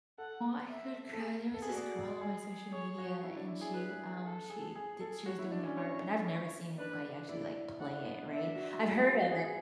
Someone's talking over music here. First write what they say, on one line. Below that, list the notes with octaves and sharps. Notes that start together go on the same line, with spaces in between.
I could cry. There was this girl on my social media, and she um, she did she was doing the harp, and I've never seen anybody actually, like, play it, right? I've heard of
A4 F#5
E5
A4
G#4
A4
G#4
F#4 D5
G#4
G#4
G#4 C#5
F#4
E4
D4
E4
G#4
B4
A4
G#4
G#4
A4
F#4 C#5
E4
D4
C#4
C#5
C#5
D4 B4
D4
E4 D5
D4 F#5
B3
D4 E5
F#4
G#4
G#4
F#4
G#4
G#4